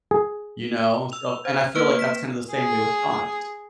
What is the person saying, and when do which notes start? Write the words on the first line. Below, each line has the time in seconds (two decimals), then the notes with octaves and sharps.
you know? So and I feel like that's kinda the same way with dogs.
0.11 G#4
1.12 E6 F7
1.45 C5
1.75 A#3 B4 F6
1.99 B6 E7
2.53 G#4